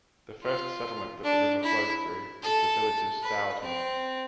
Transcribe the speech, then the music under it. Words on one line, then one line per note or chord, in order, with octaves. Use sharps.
The first settlement that the river flows through is the village of Stourton.
F4
D4
E4
A4
B4
C4